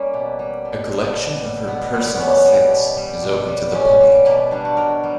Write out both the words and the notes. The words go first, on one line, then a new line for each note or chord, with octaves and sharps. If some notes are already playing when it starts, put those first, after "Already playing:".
A collection of her personal effects is open to the public.
Already playing: G3 A#3 C#4
B2
G3
B2
G3
B2
G3
B2 B3
B3
G3 B3
B3
B2 C#4
G3
B2
G3
B2
G3
B2 C#4
G3
B2 A#3
G3 D4
F#4
B2 A#4
G3